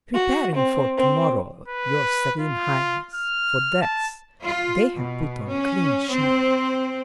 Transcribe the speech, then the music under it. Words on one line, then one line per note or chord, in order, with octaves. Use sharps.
"Preparing for tomorrow, your Serene Highness--for death--they have put on clean shirts."
F#4
C4
C4
B4
F4
F6
A5
F4
B2
C#4
C4